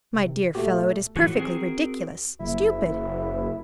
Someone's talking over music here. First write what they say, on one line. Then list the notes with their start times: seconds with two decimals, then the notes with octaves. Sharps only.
My dear fellow, it is perfectly ridiculous--stupid!
0.14 C3
0.55 A#2 A3 B3 F#4 G4
1.16 A2 E3 A3 F#4
1.36 C4 F#4 G#4 A#4
2.40 F#1 E4